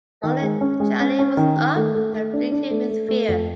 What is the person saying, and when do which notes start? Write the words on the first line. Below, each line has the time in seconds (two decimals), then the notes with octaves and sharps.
Only Djali was up, and bleated with fear.
0.23 D#3
0.42 G#3
0.61 C#4
0.80 G#3
1.00 C#4
1.19 C#4
1.37 D#3
1.57 D#3
1.76 A3
1.95 A3
2.13 A3
2.33 D4
2.52 D4
2.70 A3
2.90 A3
3.09 A3
3.28 F2